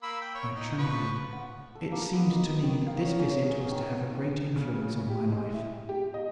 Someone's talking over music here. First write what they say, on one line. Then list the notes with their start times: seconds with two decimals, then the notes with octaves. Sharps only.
I trembled; it seemed to me that this visit was to have a great influence on my life.
0.03 A#3 B5 E6
0.21 G5
0.34 C#5
0.55 D#4
0.78 F3 B4 C#6
1.33 F#5
1.75 A4
1.91 A#3
2.13 B3
2.28 D#4
2.63 D#3
2.87 F5
3.01 C#5
3.19 C#4
3.42 G#4
3.71 D#3
4.56 C#3
5.10 G4
5.32 G#3
5.53 E4
5.89 G4
6.14 D#5